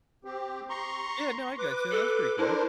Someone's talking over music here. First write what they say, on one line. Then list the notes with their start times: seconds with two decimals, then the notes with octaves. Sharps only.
Yeah, no, I gotcha, that's pretty cool.
0.25 C4 G4
0.69 A#5 C6 C#6
1.58 B4 D6
1.91 A4
2.38 D4 E4 A#4 C5